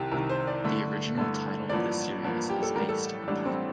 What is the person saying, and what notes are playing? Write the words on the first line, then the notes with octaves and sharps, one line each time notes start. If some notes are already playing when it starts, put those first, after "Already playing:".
The original title of the series is based on a pun.
Already playing: C2 C3 D#3 G4
C2 C3 D#3 A#4
C5
D5
G2 D3 A3
G2 D3 A3
A1 G2 F3 A#3 D5
A1 G2 F3 A#3
G4
A4
A1 A2 G3 A#4
A4
A1 A2 G3 D4
C4